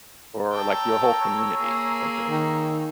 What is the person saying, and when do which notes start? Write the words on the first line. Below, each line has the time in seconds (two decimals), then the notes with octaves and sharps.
for, like, your whole community, essentially.
0.52 C#5 G5 A5 A#5 E6
1.58 A#3 G#4
2.30 D#3